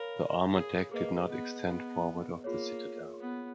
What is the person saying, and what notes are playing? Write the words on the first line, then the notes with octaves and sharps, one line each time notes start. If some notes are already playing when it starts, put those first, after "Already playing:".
The armor deck did not extend forward of the citadel.
Already playing: A#4 C#5 F5 B5
G#4
A#3 G#4 B4 D#5
B3
B3
A#3 F4 G#4 C#5
B3